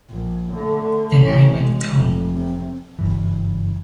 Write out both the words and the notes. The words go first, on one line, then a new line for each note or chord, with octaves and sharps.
Then I went home.
A#1
D3 A3
A1 C#4
G#3
F1
C3
F#1 G2 E3